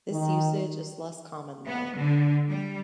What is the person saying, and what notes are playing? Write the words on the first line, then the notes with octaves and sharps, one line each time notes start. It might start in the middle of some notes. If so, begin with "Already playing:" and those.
This usage is less common, though.
D#3
B3
D3
G3